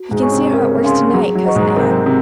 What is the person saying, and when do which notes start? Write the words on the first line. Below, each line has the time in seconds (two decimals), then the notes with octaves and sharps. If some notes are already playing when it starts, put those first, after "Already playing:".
"You can see how it works to-night, Cousin Ann!"
Already playing: F#4
0.11 G#2 G#3
0.22 C#5 G#5 C#6
0.32 C3 C4
0.53 C#3 C#4 A#4
0.75 C4
0.83 C#3 C#4 F5 C6
1.14 F#3 G#4
1.35 F#3
1.46 D#5 F#5 A#5 C#6
1.55 G#2 G#3
1.76 C3 C4 A#4
2.06 C3